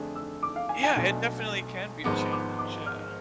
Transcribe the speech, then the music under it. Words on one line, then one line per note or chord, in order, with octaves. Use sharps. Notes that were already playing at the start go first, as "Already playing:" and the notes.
Yeah, it definitely can be a challenge, yeah.
Already playing: F2 D3 A3 D4 G#4
E6
D6
F5
G#5
G#5
B1 B2 A3 D4
G#1 G#2 F3 G#3 B3 D6
D6
D6
F6